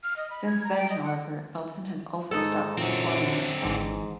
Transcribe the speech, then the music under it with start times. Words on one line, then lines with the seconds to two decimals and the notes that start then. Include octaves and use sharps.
Since then, however, Elton has also stopped performing that song.
0.04 F6
0.17 D#5
0.30 B5
0.47 G#6
0.64 A#5
0.78 G5
0.90 D#5
1.04 F#5
2.31 G#2 D#4 A4
2.78 F#2 A#2 D3 E3 C4 F4
3.61 G#1 G#2 E3 G#5